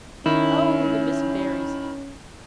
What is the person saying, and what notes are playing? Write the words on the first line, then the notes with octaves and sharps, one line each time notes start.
Oh, the Miss Berrys!
D#3 C#4 E4